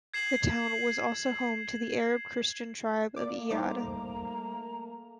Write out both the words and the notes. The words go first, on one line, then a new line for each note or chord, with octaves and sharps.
The town was also home to the Arab Christian tribe of Iyad.
G#6 C7 E7 F#7
A3 A#3 D5 D6
G3 D#4 C5 A#5 D6